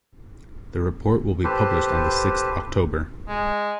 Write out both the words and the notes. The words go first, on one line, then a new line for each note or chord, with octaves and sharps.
The report will be published on the sixth October.
G4 A4 B4 C5
G#3